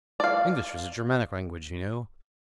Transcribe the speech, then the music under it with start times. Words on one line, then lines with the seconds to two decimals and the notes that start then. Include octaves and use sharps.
English is a Germanic language, you know.
0.20 D5 F5